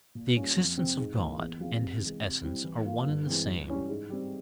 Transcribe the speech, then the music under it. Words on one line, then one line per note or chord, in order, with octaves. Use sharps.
The existence of God and his essence are one and the same.
A#2
G3 A#3 C#4 F4
F2
C3 F3 C4
G#2
E3 A#3 F4
E2
C#3 F3 C4 F4
C3
E3 G#3
C3
G3 C4 E4
E3
A#3 F4
G2
E3 G#3 C4
G2
G3 C#4 E4
G#2
G3 C4